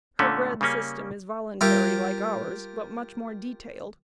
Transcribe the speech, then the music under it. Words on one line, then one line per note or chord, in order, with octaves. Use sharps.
Her bread system is voluntary like ours, but much more detailed.
A#2 D3 A3 C#4
C#3 G3 A#3 C#4
G3 F4 G4 A#4